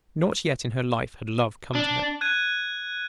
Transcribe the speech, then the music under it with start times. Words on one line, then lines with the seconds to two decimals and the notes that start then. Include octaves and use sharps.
Not yet in her life had love come to her.
1.75 D4
2.21 F#6 G#6 D#7